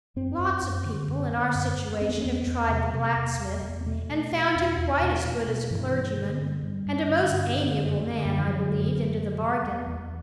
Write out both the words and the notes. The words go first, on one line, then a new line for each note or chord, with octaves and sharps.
Lots of people in our situation have tried the blacksmith, and found him quite as good as a clergyman, and a most amiable man, I believe, into the bargain.
F#2 C4
F#2
F#2
D3
F#2
D3
F#2
F#2
E2 C4
B3
A3
E2 B3
E2
C3
C3
E2
E2
E2
B3
B2 A3
B2
B2
E2
E2
B2
B2
B2
G2 E3
G2
D3
G2
G2 G3
G2
D3
G2
D3
F#2
D3
F#2
E3
D3 F#3
F#2
F#2
D3
C3
E2
E2